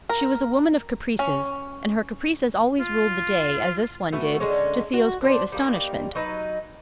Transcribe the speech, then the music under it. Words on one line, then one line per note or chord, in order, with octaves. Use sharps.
She was a woman of caprices, and her caprices always ruled the day, as this one did, to Theo's great astonishment.
A#4
C#4
F4
A3 B3 C#4 F#4
D3 G#3 C#4
F#4
C4 D4
G3 A#3 D#4
F#3 D#4 B4